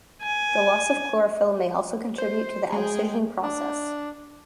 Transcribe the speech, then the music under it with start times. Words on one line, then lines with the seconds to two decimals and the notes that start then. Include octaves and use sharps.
The loss of chlorophyll may also contribute to the abscission process.
0.22 G#5
2.18 C5
2.72 G#3 G#4 G5
3.43 D4